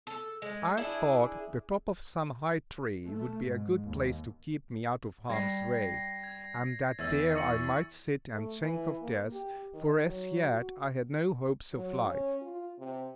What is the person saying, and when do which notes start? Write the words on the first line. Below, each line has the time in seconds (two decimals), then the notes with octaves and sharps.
I thought the top of some high tree would be a good place to keep me out of harm's way; and that there I might sit and think of death, for, as yet, I had no hopes of life.
0.07 A4
0.42 G#3
0.77 D4 E4 G#4
3.07 A3
3.46 G#2
3.85 D#2
5.30 G3 G#6 A#6 C7
6.24 G#6
6.99 E2 E6 G#6 A6
7.35 C#6 C#7 F#7
8.33 A3
8.62 E3
9.02 A#3
9.33 G4
9.74 D#3
10.06 F#3
10.44 F#4
11.73 F#3
12.06 C#4
12.41 F4
12.79 C3